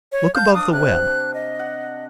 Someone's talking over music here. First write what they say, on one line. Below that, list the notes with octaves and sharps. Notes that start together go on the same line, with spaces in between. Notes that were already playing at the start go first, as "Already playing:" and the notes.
Look above the web.
C#5
F5 A5 G6
D4 D6 D#6
C3 F#6
D#5
F#5